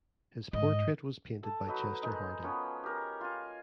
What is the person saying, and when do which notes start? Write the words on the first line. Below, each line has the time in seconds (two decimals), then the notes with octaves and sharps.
His portrait was painted by Chester Harding.
0.53 G#2 D#5
1.43 A4 A5
1.67 F#3 D#4 B4
2.02 G#3 D#4 A#4
2.43 F3 B3 C#4
2.84 G4 A#4
3.21 F4 G#5